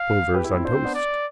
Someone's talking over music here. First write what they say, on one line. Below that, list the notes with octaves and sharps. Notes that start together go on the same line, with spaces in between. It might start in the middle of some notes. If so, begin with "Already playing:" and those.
Plovers on toast.
Already playing: F5
G4 B4
E4 G4
C4 E4
D4 F4 C5
C4
B3 D4
D5